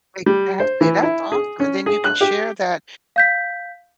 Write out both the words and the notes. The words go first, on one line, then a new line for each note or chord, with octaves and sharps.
Exactly, that's awesome and then you can share that
G3
C5
E3
E4
G#4
C#4
G#4
F#6
G4
F5 G6 B6